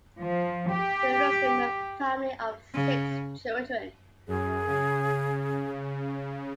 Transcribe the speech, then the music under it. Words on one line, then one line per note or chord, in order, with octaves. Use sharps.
They were raised in a family of six children.
F3
G4
C#3
F#2 G#4
C#3